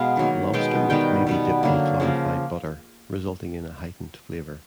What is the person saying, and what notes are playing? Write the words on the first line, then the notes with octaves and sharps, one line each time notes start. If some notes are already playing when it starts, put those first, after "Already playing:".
Lobster meat may be dipped in clarified butter, resulting in a heightened flavour.
Already playing: B2 G#3 B3 F5
D#3 F#3 A#3
B2 G#3 B3 G5
D#3 G3 B3 G5
B2 G3 B3
D3 F#3 A#3
C#3 F3 A#3